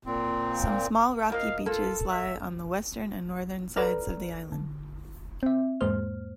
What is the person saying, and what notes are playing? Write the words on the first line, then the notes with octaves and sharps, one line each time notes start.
Some small rocky beaches lie on the western and northern sides of the island.
A#2 C4
F3 A#3 D#5 F5
A#3 F4 A4
E5
A4 B4 D5 A#5 F6
D3
C4 E5
E2 G#2 G#3 A#3 C5 F6